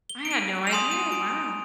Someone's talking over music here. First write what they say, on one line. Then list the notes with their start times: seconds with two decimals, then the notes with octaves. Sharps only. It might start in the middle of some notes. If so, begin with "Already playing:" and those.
I had no idea, wow.
0.09 G7
0.25 D7
0.31 D#7
0.67 F7
0.71 G#5 C6 D#6 E7
0.91 D#7
1.12 D7